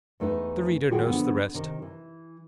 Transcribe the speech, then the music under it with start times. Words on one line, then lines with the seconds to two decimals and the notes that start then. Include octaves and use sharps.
The reader knows the rest.
0.20 E2 A3 D#4 B4 E5
0.90 D#3 A#3 F4 F#4 G#4 G5
1.06 D3 F3 B3
1.54 C3 D#3
1.82 E3